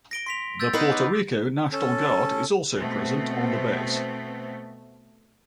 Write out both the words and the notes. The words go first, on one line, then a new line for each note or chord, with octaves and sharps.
The Puerto Rico National Guard is also present on the base.
A#6 D7 G7
C6 B6 F7
E6 G6 A6
B3 D#4 B4 D#6 C7
D6
C#4 A4 A5
B2 A3 B3 C4